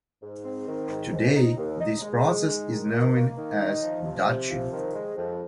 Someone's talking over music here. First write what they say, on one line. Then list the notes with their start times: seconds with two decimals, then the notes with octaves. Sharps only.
Today, this process is known as "Dutching".
0.22 G#2
0.45 C4
0.68 D#3
0.89 G#2
1.12 D#2
1.35 D#4
1.57 D#2
1.80 D#4
2.01 G#3
2.24 G#3
2.47 D#4
2.69 D#3
2.91 A#3
3.15 A#3
3.37 D#3
3.59 D#4
3.82 F3
4.04 C3
4.26 C3
4.48 F3
4.72 D#3
4.94 G#3
5.16 F2